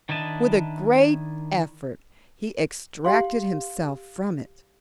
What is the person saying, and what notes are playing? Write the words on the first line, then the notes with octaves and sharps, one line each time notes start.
With a great effort he extracted himself from it.
D#3 D4 E4 D#5 A5
G4 F5 C6